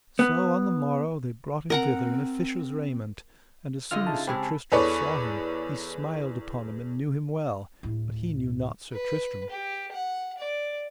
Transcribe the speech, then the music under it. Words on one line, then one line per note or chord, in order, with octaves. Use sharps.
So on the morrow they brought him thither in a fisher's raiment; and as soon as Sir Tristram saw him he smiled upon him and knew him well, but he knew not Sir Tristram.
B3
C4 A#4 F#5 A#5
F#2 D3 F4 D#5 F6
C#3 D#4 E4 A5
C#3 G#3 C4 G4 G#4 B5 E6
E2 A4 B4 C#5 D5 C#6
D1 A2
B4
G4
F#5
D5